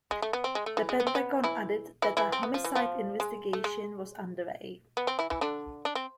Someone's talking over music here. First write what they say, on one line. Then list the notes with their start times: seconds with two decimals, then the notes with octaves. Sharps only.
The Pentagon added that a homicide investigation was underway.
0.11 G#3
0.22 A3
0.33 B3
0.44 C4
0.55 G#3
0.66 A3
0.77 E3
0.89 G#3
1.00 B3
1.07 C4
1.15 B3
1.44 E3 E4
2.02 E3 E4
2.17 E3 E4
2.32 C4
2.43 B3
2.54 F3
2.65 E3
2.75 F3
3.20 G#3
3.53 A3
3.64 G#3
4.97 B3
5.07 C4
5.19 E3 E4
5.30 E3 E4
5.41 D3 D4
5.85 D4
5.95 C4